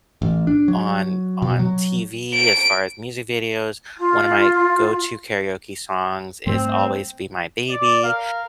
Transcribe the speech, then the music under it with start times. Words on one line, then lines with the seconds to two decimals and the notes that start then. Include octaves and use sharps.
on on TV as far as music videos. One of my go to karaoke songs is Always Be My Baby,
0.22 A1
0.47 D4
0.68 F#3
1.42 B2
1.59 F#3
2.34 D7
3.98 F4
6.46 G#2 G3 A3 C4
7.70 D5
8.03 A#4 F5